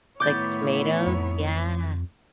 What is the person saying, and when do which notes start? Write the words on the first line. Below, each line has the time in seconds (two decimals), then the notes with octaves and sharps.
like the tomatoes. Yeah.
0.20 A2 D#3 B3 E4 C#5 D6 G6 A6
1.06 F2